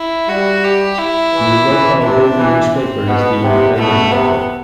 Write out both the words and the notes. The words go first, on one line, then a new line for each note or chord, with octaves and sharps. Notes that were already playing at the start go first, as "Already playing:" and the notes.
The local daily newspaper is the "Independent Record".
Already playing: E4
G3 F#4
G4
E4
E3
E3
C3 D4
E3
C4
B2 B3
C3
B2 A3
C3 B3